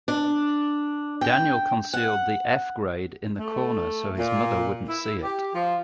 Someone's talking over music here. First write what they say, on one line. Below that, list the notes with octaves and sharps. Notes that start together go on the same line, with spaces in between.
Daniel concealed the F grade in the corner so his mother wouldn't see it.
D4
G5
F#5
A3
A#2
E4
G4
F3